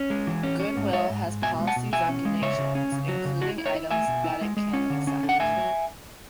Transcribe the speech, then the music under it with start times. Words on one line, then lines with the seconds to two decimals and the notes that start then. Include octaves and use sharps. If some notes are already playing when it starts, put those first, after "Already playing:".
Goodwill has policies on donations, including items that it can accept.
Already playing: C#4
0.10 G#3
0.27 E3
0.43 C#4
0.60 C#4
0.77 G#2
0.93 G#3 C#5 E5
1.10 G#2
1.26 G#2
1.42 B2 E5 G#5
1.60 G#3
1.67 F#5 A5
1.76 B2
1.93 B2 E5 G#5
2.09 C#4
2.25 G#3
2.42 C#3 C#5 E5
2.58 C#3
2.75 C#4
2.92 C#3
3.08 F#3
3.25 C#3
3.42 E4 F#4
3.58 E4
3.66 C#5 E5
3.75 E4
3.91 A3 E5 G#5
4.08 B2
4.24 E4
4.41 G#3
4.57 G#3
4.73 C#4
4.90 D3
5.07 C#4
5.23 D3
5.29 F#5
5.40 A2 E5 G#5
5.57 F#3